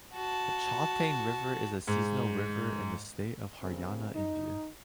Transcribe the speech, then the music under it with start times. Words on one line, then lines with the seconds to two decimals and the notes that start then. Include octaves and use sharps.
The Chautang river is a seasonal river in the state of Haryana, India.
0.14 F#4 A5
1.87 G#2
3.63 G2 C#3 A#3 C4
4.15 D#4